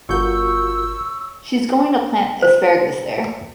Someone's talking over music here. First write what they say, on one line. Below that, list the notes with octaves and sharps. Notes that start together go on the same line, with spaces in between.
She's going to plant asparagus there.
G1 F4 F#4 A#4 C#5 E6 G6
C5